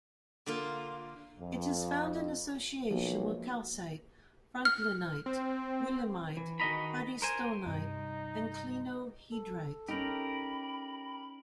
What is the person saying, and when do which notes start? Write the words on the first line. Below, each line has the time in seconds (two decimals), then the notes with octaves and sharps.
It is found in association with calcite, franklinite, willemite, hardystonite and clinohedrite.
0.46 D3 A#3 F4
1.39 F2
2.91 B1 F3 A#3
4.65 F6
5.26 C4
6.37 E3
6.60 D#3 F#4 G#4 D#5 A#5 B5
7.22 A#4 C5 G#5
7.66 G2 C3 D#4
9.32 A4
9.88 C#4 D#4 G4 A#4 B5